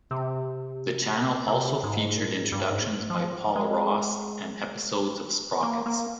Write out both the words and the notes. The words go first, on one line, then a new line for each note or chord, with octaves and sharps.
The channel also featured introductions by Paul Ross and episodes of Sprockets.
C3
C3
G#2
A#2
G#2
G2
G#2
F3
G#3
A#3
A#3